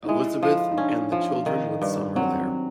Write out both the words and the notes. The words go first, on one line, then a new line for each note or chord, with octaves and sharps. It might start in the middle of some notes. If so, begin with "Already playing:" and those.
Elizabeth and the children would summer there.
D#4
G#3 E4
F3
D#4
C#4 D4
F3
D#3
G2
F#3 C4